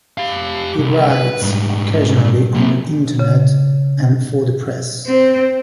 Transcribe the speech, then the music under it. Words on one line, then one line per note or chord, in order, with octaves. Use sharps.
He writes occasionally on the internet and for the press.
G4 F5
C2
B4
G#2 G3
F#3 A#3
C#3
C4